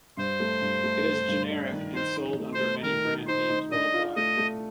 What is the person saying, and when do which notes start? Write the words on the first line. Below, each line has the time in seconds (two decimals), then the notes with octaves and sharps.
It is generic and sold under many brand names worldwide.
0.17 G2 C5
0.40 A3
0.61 G2
0.84 A3
1.06 A3
1.28 G2
1.50 D4
1.72 D#3
1.94 D#4 C5
2.17 D#4
2.39 A3
2.54 C5
2.61 A3
2.83 D#3 A#4
3.05 D#4
3.27 D#4 C5
3.49 D#4
3.71 D4 D#5
3.94 F4
4.16 A3 D#5
4.38 A3